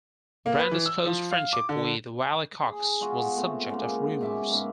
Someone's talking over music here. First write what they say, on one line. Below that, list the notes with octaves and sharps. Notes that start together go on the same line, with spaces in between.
Brando's close friendship with Wally Cox was the subject of rumors.
A#3
B4
E3
E6
F3
F5
D6
D3
G#4
B2 G#3 F4 F#4
A3 B3 C4
C#3 G#3 A#3
B2 G#3 E5 D6
G#2 C#3 A#3